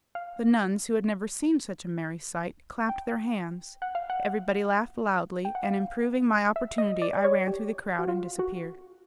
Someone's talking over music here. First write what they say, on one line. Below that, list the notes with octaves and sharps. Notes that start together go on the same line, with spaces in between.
The nuns, who had never seen such a merry sight, clapped their hands, everybody laughed loudly, and improving my opportunity I ran through the crowd and disappeared.
F5
G5
F#5
F5
F#5
G5
F#5
F5
E5
D#5
D5
D5
C#5
G4
F#4
F4
F#4